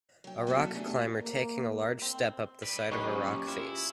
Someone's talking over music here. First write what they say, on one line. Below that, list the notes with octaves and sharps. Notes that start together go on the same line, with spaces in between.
A rock climber taking a large step up the side of a rock face.
F#3 G5
D3 F#3 B3 E4 F#4 A4
A3 B3 D4 G4 G#4
A#3
C4
B4 D5
F#2 A#2 C#4 D#4 G4 B4
E4 F4 G#4